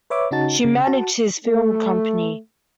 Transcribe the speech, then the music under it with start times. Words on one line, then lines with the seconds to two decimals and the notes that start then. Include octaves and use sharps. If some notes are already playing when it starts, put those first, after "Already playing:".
She managed his film company.
0.10 B4 C#5 E5 D6
0.31 C#3 C#4 D#4 F#4 A5 A6
0.64 C#3
0.84 F#4 A5
1.45 A3